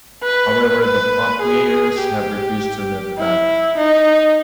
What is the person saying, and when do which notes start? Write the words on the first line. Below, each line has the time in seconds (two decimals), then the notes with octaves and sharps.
However, the proprietors have refused to remove the banner.
0.24 B4
0.83 B4
1.42 G#4
2.00 G4
3.19 E4
3.77 D#4